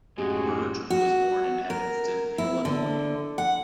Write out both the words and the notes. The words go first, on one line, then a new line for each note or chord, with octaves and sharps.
Burge was born in Evanston, Illinois.
F#2 A2 G#3 C#4 F#4 G4
F#4
A#4
E4
D3
F#5